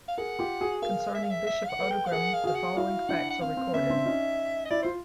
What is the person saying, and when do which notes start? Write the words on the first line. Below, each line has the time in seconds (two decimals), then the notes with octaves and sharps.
Concerning Bishop Oedgrim the following facts are recorded.
0.08 F5
0.18 G#4 A#4 F#5
0.39 F4 G4
0.61 F#4 G#4
0.82 G#4 A#4 F5
1.15 E5
1.23 F5
1.31 E5
1.47 E5
1.64 F5
1.69 F#5
1.79 A4 B4
1.91 G5
2.07 F5
2.12 G#4 A#4 F#5
2.34 F5
2.44 F#4 G#4 F5
2.55 F#5
2.77 E4 F#4 F5
3.09 D4 E4 F#5
3.30 F#5
3.41 C4 F5
3.57 C4
3.73 B3 C#4 E5
3.90 C4 D4
4.06 C#4 D#4
4.65 D#5
4.71 E4 D5
4.82 F4 C5